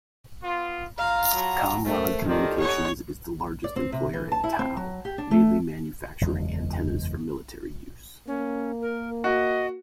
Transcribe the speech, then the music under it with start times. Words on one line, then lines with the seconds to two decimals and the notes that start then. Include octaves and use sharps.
Comrod Communications is the largest employer in Tau, mainly manufacturing antennaes for military use.
0.43 B3 F4
0.98 F4 F5 A#5
1.35 F#3 F#5 A5 B5
1.86 A3 A#4 C5
2.28 D#3 G4 A4 A#4 C5 D5 A5
2.59 C#4 D#4 C#5 F#5
3.64 D5
3.76 C4
3.92 C3
4.13 E3
4.32 A5
4.44 E4
4.59 C4
4.77 F#3
5.05 G4
5.18 D4
5.31 A3
6.21 F#1 E2 G#3
8.27 A#3 C#4
8.81 A#4
9.24 F#4 D#5